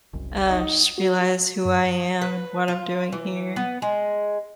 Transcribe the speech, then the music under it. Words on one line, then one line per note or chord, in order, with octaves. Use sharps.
uh, just realize who I am and what I'm doing here.
F#1 C2 F#2
D#4
F#4
F#2
B4
F4
E3
B3
G#3